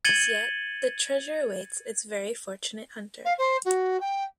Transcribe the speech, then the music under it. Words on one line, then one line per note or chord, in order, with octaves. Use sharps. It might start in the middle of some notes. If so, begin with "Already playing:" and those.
As yet, the treasure awaits its very fortunate hunter.
G#6 A6 C#7 D#7 F#7 G7
F5
C5
F#4
G5